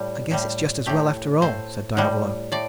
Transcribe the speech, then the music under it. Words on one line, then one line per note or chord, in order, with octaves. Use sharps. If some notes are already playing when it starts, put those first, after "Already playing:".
"I guess it's just as well after all," said Diavolo.
Already playing: A2 G3
A2 G3
A2 A3 G4
A2 A3 C5
A2 G3
A2 D5